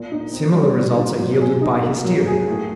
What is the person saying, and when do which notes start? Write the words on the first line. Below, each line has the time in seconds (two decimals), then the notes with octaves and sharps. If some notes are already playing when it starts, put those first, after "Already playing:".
Similar results are yielded by hysteria.
Already playing: A#2
0.12 D#4
0.33 C4
0.54 G3
0.75 A#2
0.97 D#4
1.18 F#3
1.40 G#4
1.62 D#4
1.83 A#3
2.04 F#3
2.26 G#4
2.47 A2